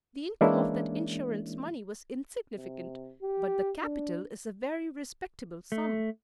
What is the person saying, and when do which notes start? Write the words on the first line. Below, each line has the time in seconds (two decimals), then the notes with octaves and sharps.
The income of that insurance money was insignificant, but the capital is a very respectable sum.
0.41 E3 G#3 A#3 C#4 D4 E4
2.57 C3
3.22 G4
3.82 D4
5.72 A3